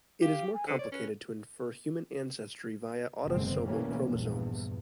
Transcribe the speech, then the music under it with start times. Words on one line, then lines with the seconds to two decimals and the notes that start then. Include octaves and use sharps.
It is more complicated to infer human ancestry via autosomal chromosomes.
0.22 G4 F5
0.53 G#5
0.67 D3 C5
0.79 C#5 D5
0.92 C#4 B4
3.27 F#1 E2 B2 D3 G#3 C4
3.63 D2 B2 E3 G3 A#3 C#4
4.07 A#1 E2 G2